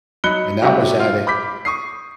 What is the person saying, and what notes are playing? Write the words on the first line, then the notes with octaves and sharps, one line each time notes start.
And that was at it
F#3 D#4 B5 F#6 C#7 G7
C3 F#3 G3 A3 F#4 G4
F4
B5 D6 G6 B6
C#6 D#6 C7